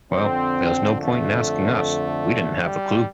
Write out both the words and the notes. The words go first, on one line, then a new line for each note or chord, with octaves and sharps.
Well, there was no point asking us, we didn't have a clue.
F2 D3 C4
A3
G3